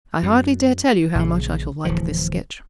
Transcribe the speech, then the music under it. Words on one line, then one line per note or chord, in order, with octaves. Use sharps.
I hardly dare tell you how much I shall like this sketch.'
F#2
A#1 C#3
D1 E3 F3